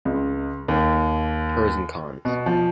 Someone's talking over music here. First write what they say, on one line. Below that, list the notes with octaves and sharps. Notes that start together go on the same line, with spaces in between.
Pros and cons.
C#2
D#2
B2
F3